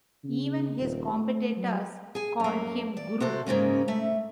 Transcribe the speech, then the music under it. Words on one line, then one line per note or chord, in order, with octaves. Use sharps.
Even his competitors called him guru.
C#3
D#1
A3
F#3
G#4 G#5
F#2 A#3
D5
C3 F#4 A4 C5
G#2 C#3 A#3 C#4
A3 E5